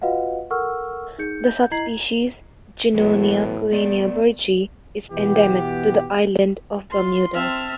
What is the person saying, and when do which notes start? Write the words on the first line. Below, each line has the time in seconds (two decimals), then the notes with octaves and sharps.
The subspecies "Junonia coenia bergi" is endemic to the island of Bermuda.
0.02 F4 F#4 B4 D#5 F5 F#5
0.50 A4 A#4 F#5 C#6 E6 F6
1.18 D#4 G#4 G6 C#7
1.44 G6
1.71 E4 D#5 A#5 G#6 C7 F#7
2.95 A2 E3 F#3 B3
3.72 A3 B3 D5
5.12 B2 E3 B3 G4
6.90 F4 C6
7.34 C4 E5 A5 F6